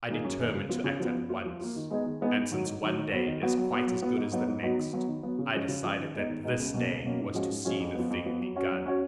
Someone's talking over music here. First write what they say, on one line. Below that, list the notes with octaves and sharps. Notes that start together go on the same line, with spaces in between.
I determined to act at once; and since one day is quite as good as the next, I decided that this day was to see the thing begun.
D#3 A#3 D#4 G#4
F#2
D#3 A#3 D#4 G#4
C#3
F3 B3 F4
C#3
F3 B3 F4
F3
A#3 F4
F3
A#3 F4
D#3
G#3 B3 D#4 G#4
D#3
G#3 B3 D#4 G#4
G#2
D#3 F#3
G#2
D#3 F#3
D#3
F#3 B3 F#4
D#3
F#3 B3 F#4
F#3
B3 F#4
F#3
B3 F#4
G#2
F#3 B3 D#4 F#4
G#2
F#3 B3 D#4 F#4
D#3
F#3 B3
D#3
F#3 B3
C#3
F3 G#3 C#4
C#3
F3 G#3 C#4
D#3
G#3 B3 D#4
D#3
G#3 B3 D#4
C#2
B2 F#3 A#3 C#4
C#2
B2 F#3 A#3 C#4
G#2
F3 G#3 C#4 F#4
G#2
F3 G#3 C#4 F#4
F2
F3 B3
F2
F3 B3
F#3
C#4 F#4 C#5
F#3
C#4 F#4 C#5